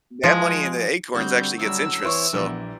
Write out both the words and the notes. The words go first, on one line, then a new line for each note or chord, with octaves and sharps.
that money in the acorns actually gets interest, so
F3 G#3
D3 G3 C4 F#4 D#6 G6
F#2 A2 F#3 G3 E6
E3 C4 E4 B4 C#5 C6
A#1 A#2 E3 G3 B3